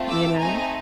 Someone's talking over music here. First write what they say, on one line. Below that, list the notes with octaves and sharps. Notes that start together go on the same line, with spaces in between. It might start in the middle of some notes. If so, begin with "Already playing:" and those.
you know?
Already playing: A3 C4 F4
D6 E6
A3 C4 D#4 G#5 A#5